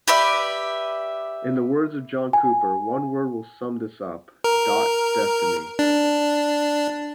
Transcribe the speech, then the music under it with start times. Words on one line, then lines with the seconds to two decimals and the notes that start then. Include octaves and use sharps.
In the words of John Cooper, One word will sum this up.. dot destiny.
0.08 G4 B4 D5 E5
2.33 G#5
4.44 A#4
5.79 D4